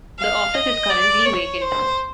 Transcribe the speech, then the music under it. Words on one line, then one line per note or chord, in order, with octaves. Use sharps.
The office is currently vacant.
F5
D#5
D5
C#5
C5